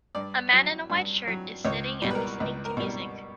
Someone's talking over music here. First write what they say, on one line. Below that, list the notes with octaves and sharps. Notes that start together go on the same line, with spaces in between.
A man in a white shirt Is sitting and listening to music.
G2 D5
F#3
G2
F#3
C#2 C#5
B2 G3
B4
A#4
C#2 B4
A#4
B2 G3